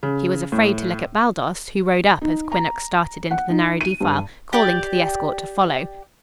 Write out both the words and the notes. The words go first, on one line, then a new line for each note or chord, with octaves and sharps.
She was afraid to look at Baldos, who rode up as Quinnox started into the narrow defile, calling to the escort to follow.
C#3
A2
D#4
A#5
F#5
D#4
D#7
G2
G4 D5